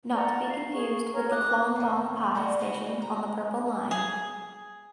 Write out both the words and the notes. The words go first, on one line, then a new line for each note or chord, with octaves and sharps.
Not to be confused with the Khlong Bang Phai station on the Purple Line.
D5 F#5 A#5
F5
G#4 C#6
A#4 C#5 G#5 A#5
D6 D#6 F#6
A2 D#3
E3 G3 A3 F#4
C#3 F#4 B4 F5
A#5
G#4